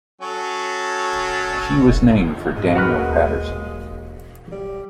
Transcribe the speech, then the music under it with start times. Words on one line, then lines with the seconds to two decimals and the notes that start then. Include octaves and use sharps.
She was named for Daniel Patterson.
0.21 F#3 C#4 A4
2.56 G#2 G#3
2.75 F#4 A#4 B4
2.95 D#2
4.52 G3